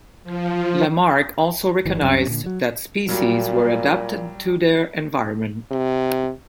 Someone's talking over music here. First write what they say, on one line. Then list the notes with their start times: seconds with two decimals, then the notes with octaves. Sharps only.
Lamarck also recognized that species were adapted to their environment.
0.24 F3
1.85 G1 E3 G3
2.02 C2 F#2 C3 C#4
2.27 A#2 D3
2.46 F#3
3.09 A#2 F#3 G3
5.71 C3